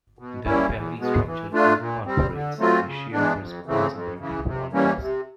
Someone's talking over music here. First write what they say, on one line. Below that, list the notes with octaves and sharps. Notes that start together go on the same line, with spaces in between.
Their family structure incorporates a shared responsibility for all tasks.
B2
G3 A#3 C#4 E4
E2
B2 G#3 B3
E3
A3 D4 F4
A#2
G3 C4
D3
F#3 A3 C4 F4
C#3
E3 G#3 B3 D4
F2
C#3 E3 A3 C4
F2
C#3 E3
C3
E3 G3 A#3 C#4
C3